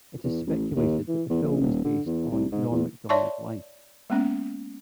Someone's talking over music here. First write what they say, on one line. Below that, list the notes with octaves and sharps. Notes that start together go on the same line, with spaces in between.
It is speculated that the film is based on Norm Macdonald's life.
E2
A1
D#2
E3
E2
A#1
D#1
D3
E2
C2
G#2
E2
C#5 D5 E5 A5 C6 C#6
G#3 A#3 B3 C#4